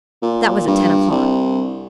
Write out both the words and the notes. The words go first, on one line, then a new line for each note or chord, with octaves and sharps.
That was at ten o'clock.
A#2
G2
C2